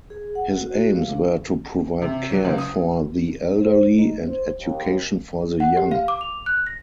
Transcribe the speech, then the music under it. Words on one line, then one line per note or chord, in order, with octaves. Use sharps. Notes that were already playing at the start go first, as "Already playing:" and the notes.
His aims were to provide care for the elderly and education for the young.
G#4
F#5
F#4
F#4
F5
D4
C3
F#3
C#2
D#6
C5
D#4
C5
D#2
F#5
G4
F5
D6
F7
F#6
A#6